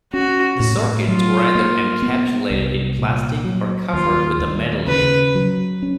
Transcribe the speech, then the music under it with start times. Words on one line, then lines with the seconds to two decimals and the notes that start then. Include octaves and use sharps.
The circuits were either encapsulated in plastic or covered with a metal lid.
0.13 C#4 F#4
0.60 A2
1.08 F#3 F4
1.55 A#3
2.02 B3
2.50 C2
2.98 A#2
3.45 F#3
3.93 D#2 F4
4.40 D#2
4.87 C#3 B4
5.35 F#3
5.82 C#4